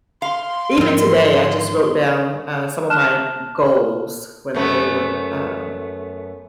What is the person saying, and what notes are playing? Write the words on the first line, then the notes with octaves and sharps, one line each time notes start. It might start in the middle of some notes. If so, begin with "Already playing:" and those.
even today, I just wrote down, uh, some of my goals, whether they were, um,
F5 C6
G#2 F3 G#3 C4 A#4
A5 F6 F#6 E7
F#2 A3 B3